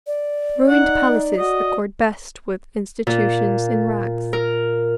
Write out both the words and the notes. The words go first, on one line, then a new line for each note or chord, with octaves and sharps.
Ruined palaces accord best with institutions in rags.
D5
D#4 F#5
F#4 D#5
A#2
A#4